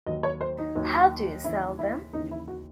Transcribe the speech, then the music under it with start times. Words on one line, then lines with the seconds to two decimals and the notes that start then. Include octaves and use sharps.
How do you sell them?
0.06 D#2 D#3 F#3 D#5
0.23 C#5
0.41 C5
0.58 D#4
0.76 D#2 D#3 F#3
1.44 D#2 C#3 E3 E4
1.79 E4
2.13 D#2 C#3 E3 D#4
2.31 E4
2.48 F#4